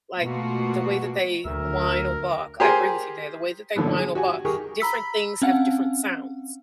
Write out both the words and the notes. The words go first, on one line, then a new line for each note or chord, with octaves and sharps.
like, the way that they whine or bark I agree with you there, the way that they whine or bark, different things have different sounds,
B2 A3 A#3 F4 F#4
D2 D3 F#3 A#4 E5
G4 G#4 A#4 C5 G#5
A#2 D3 F3 F#3 B3
G#4
F#4 G4 G#5
D#3 G4 G#4 A#4 C#6
A#5 B5 E6 B6
C4 C#4 F5 F#5